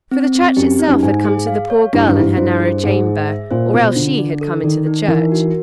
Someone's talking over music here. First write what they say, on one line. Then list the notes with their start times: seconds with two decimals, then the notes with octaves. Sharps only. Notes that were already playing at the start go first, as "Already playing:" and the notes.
For the church itself had come to the poor girl in her narrow chamber, or else she had come into the church.
0.11 C4
0.35 C4
0.57 F#2 G4
0.79 D#4
0.88 F#2
1.03 G#2 G#5
1.25 G#4
1.47 F5
1.70 C#5
1.93 G2 E4
2.08 G2
2.15 G#2 E4
2.23 G2
2.37 G2 C5
2.60 G#4
2.83 G#2 G#4
3.06 G#4
3.28 E5
3.51 A#2 C5
3.73 B2 F4
3.95 D3 F4
4.19 D5
4.41 A4
4.63 D#3 D5
4.87 D#4
5.08 E3 A#4
5.32 F#4